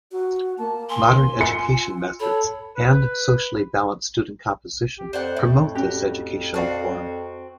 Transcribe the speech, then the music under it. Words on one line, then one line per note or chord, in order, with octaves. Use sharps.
Modern education methods and socially balanced student composition promote this educational form.
F#4
A#3 A5
G#5 C6
F4 C#7
A4 C#5 B5
B4
G4
F2 C5 D5 F#5
A2
C#4 F#4 G4
C4 F#4 A4 D5 F5